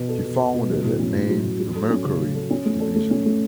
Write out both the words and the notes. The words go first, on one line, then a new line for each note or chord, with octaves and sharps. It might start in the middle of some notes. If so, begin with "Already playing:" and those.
He founded and named the Mercury division.
Already playing: B2 B3
A4
B2
B3
B2
F#3
A2
C#4
A2
F#3
A2
F#3
A4
C#4
C#3
F#3
A4
C#4
A3
A4
A3
C#4
A3